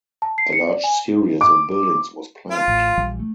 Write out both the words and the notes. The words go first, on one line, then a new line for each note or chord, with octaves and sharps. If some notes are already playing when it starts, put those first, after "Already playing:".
A large series of buildings was planned.
A5
C7
C#7
D5
G#5
D6
F4
A1
A#1 E3 G3
A3